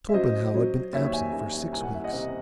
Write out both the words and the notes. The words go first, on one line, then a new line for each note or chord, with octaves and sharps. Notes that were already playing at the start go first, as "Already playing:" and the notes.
Torpenhow had been absent for six weeks.
E5
F#3 C5 D#5
F#3
D#2 C#5 E5
E5 G#5
D#2 E5 G#5
E5 G#5
C2 G#5
F#5
E5
D#5 F#5
C3